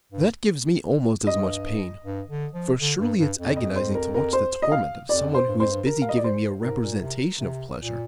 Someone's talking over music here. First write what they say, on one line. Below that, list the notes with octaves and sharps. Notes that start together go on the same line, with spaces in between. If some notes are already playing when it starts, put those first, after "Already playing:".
That gives me almost as much pain, for surely it's agonizing to watch the torment of someone who is busy giving me a representation of pleasure.
G2
G2 D#5
G2
D3
F3
D3
G2
G2
F2
D#5
C5
A#4
A#4
C5
D#5
F5
F2 D5
C5
G2
F2 C5
G2
A#4
F5
D#5
D5
C5
G#2 A#4
A#2
C3
C3
A#2